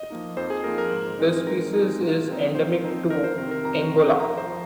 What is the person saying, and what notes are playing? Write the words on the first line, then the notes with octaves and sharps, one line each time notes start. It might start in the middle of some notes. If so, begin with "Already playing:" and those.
The species is endemic to Angola.
Already playing: D#5
F3 A#3 D#4
F2 C5
G#4
F3 A#3 D#4 A#4
A#4
G#2
G#3 C4 D#4
G#2 A#4
G#3 C4 D#4
A#2
F3 C4 D#4
A#2 C5
F3 C4 D#4
F2 A#4
C5
C3 D#3 C4 A#4
A#4
F2 A#5
C3 D#3 C4
F2 A#5
C5
F3